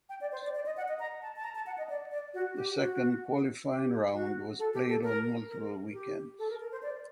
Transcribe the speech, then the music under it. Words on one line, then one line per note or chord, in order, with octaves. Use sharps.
The second qualifying round was played on multiple weekends.
G5
D5
C5
D5
D5
D#5
F#5
D#5
A#5
A5
A5
A#5
A5
F#5
D#5
D5
D5
F#4
G4
F#4
G4
F#4
A4
G4
A4
A#4
A#4
G4
A4
A#4
A#4
C5
D5